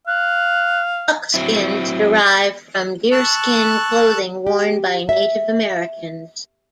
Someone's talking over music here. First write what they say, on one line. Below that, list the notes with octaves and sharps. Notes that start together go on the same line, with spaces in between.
Buckskins derive from deerskin clothing worn by Native Americans.
F5 F#6
F#3 C4 E4
A5 C#6 E6 F#6
G4
E5